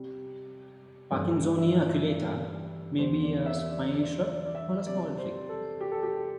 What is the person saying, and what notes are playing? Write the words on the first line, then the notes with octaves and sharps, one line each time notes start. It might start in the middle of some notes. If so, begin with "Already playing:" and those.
"Parkinsonia aculeata" may be a spiny shrub or a small tree.
Already playing: C3 G3
G2 E3 A3 D5
E5
D5
E2 C3 G3 C5
D5
D5
E5
D5
E5
D5
D5
D5
E5
C3 G3 D5
C5
A4
G4
A4
G4